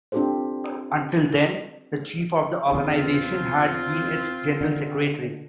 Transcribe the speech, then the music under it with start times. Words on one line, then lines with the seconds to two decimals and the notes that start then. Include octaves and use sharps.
Until then, the chief of the organization had been its general secretary.
0.12 C4 D4 F4 G4 A4 C5
2.72 E2 C#3 C4 F4
4.61 D3